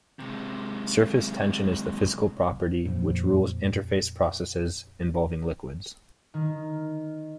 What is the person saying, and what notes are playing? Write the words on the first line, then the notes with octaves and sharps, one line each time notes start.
Surface tension is the physical property which rules interface processes involving liquids.
C3 G#3
F2 A#2 F3
D#3